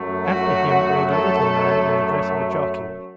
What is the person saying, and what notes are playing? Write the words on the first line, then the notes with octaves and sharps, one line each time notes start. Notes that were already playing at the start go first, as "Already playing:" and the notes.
After him rode a little man in the dress of a jockey.
Already playing: F#2 F#3 A3
F#4
A4